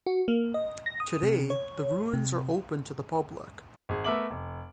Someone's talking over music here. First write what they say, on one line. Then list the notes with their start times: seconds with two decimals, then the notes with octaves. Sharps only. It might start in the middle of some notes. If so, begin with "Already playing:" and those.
Today, the ruins are open to the public.
0.06 F#4
0.28 A#3
0.54 D#5
0.86 A#6
1.00 D#6
1.23 C3
1.50 C#5
2.13 C3
3.89 G#1 G#4
4.04 A3 B3 A#4 E5 D6 F#7
4.30 F1